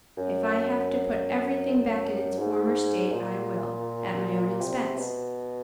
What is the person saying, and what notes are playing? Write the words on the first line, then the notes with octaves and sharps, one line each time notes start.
If I have to put everything back in its former state, I will, at my own expense.
F#2
G#2
A#2
C3
B2